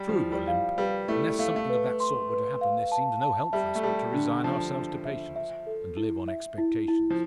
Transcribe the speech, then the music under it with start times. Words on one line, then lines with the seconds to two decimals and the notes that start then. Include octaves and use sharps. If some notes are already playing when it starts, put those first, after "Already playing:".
"True, Olympe; unless something of that sort were to happen, there seems no help for us but to resign ourselves to patience, and live on expectations."
Already playing: G3
0.09 F3
0.17 E4
0.32 G3
0.48 F5
0.78 G3 B4
1.08 A3 E4
1.39 A3 F5
1.56 A3
1.69 B4
2.00 C6
2.30 B4
2.61 F5
2.92 A5
3.22 A5
3.53 G3 E5
3.75 A3
3.83 G3 A5
4.13 D3 D4
4.44 F3 A5
4.75 D4
5.05 E5
5.36 E5
5.67 A4
5.97 E4
6.28 E5
6.58 E4
6.88 E4
7.10 F3